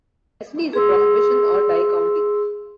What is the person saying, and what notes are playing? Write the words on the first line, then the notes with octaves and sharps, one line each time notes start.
Leslie is a prohibition or dry county.
G#4 C6 E6